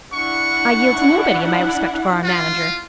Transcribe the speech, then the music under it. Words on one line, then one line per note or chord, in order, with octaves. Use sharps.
I yield to nobody in my respect for our manager.
D4 E4 F#5 C#6
F4